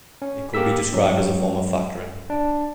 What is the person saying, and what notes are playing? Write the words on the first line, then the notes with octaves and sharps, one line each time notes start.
It could be described as a form of factoring.
C#4
A#3 G4 A#4 E6 B6
F#3 G#3 C#4
D4